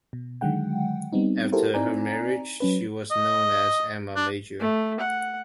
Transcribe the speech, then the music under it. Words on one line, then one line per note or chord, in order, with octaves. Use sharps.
After her marriage she was known as Emma Major.
B2
D3 D#3 F#3 G#3 F#5 G5
G3 B3 C4 D#4
E4 F#4 G4 A4 A#4 C5
C4 D#4 E4 D5 G#5 A#5
F#3 C#4 B4
D#5
D4
A3
F#5